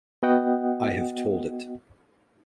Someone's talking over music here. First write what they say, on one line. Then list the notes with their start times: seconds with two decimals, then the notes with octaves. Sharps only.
I have told it.
0.23 B3 F#4 D#5 F#5 G5